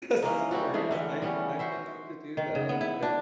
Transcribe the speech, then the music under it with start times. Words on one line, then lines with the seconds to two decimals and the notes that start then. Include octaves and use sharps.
serious I've I've been known to do that, I've
0.22 E3 A#3 C#4 D#4
0.51 G3 C4 E4 F#4
0.74 E3 G#3 A3 G#4
0.91 D3 E3 C#4
1.22 G3 B3 C#4
1.59 F#4 C5 E5
2.37 D#3
2.55 C#3
2.69 B3
2.81 E4
3.02 D4